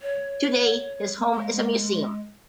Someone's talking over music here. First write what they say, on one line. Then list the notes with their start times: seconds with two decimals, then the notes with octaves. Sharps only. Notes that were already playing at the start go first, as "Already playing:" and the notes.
Today his home is a museum.
0.02 C#5
1.33 G#3